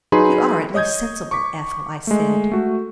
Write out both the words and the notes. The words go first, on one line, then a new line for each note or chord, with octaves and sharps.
"You are at least sensible, Ethel," I said.
F#3 D#4 G#4 B4 B5 C6
C#5 D#5 D#6 G6 G#6
C#6 D6 B6
G#3 A3
A3 F#4